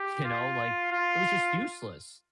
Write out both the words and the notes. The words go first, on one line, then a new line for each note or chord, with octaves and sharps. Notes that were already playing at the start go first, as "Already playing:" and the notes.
you know, like, it was just useless.
Already playing: G4
F4
F4